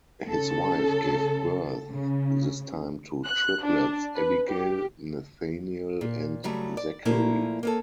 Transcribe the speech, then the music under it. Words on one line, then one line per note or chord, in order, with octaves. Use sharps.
His wife gave birth this time to triplets Abigail, Nathaniel and Zachary.
C#3 A4
C#3
F#6
D4
B4
G4
A#2
C#3 F#3 G3 A3
D5
A#2 F3 A3 A#3 E4
A#3 C#4 A4